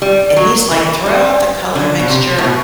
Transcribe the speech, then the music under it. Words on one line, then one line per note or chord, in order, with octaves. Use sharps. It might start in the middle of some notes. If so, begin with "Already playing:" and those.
And he's like, "Throw out the color mixture"
G3
F#3
E3
G3
D3
B2
C3
A2
B2